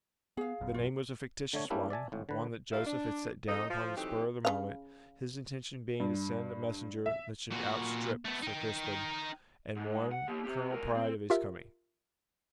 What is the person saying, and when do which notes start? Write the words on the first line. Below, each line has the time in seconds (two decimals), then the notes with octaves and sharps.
The name was a fictitious one--one that Joseph had set down upon the spur of the moment, his intention being to send a messenger that should outstrip Sir Crispin, and warn Colonel Pride of his coming.
0.37 B3 G#4 F5
0.60 G#1 F#2 B2
0.74 F4
1.53 D3 A3 C#5
1.70 G3 A#3 C#4 D4 E4 G4
1.90 D5 E5 G#5 A5
2.12 G#1 A2
2.29 D3 B4
2.72 D#3 G3 F4 A#4 E5 F5
2.86 D4
3.48 F2 D#4 A4 D#5
3.70 F3
3.96 E3 F#3 A3 C4 D#4 G4
4.45 C#3 C#4 F5
6.00 G2
7.06 E5
7.52 A#2 F#4
8.25 A3 B3
8.43 D#4 G5
9.76 G#2
10.11 F#5
10.28 A#3 G4
10.44 C4 G4
10.70 C#2 A#4
10.96 C4
11.30 F4 G4 A#4 E5